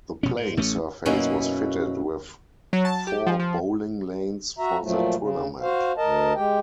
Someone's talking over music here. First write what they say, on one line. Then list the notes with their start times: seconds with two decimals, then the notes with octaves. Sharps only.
The playing surface was fitted with four bowling lanes for the tournament.
0.23 F1 B2 C#4
0.36 G#2
0.57 A1 A3 C#4
1.06 F#2 B2 A#3 C#4 D#4 E4
2.73 F#3
2.85 A5
3.07 G4
3.27 F3
3.39 F3
4.59 F#4 E5 A#5
4.82 A#2 F3 F#3 A3
5.17 C#3
5.61 F#4 C5 F5
5.97 D2 A#4 D#5 A5
6.36 G#3 G4 G5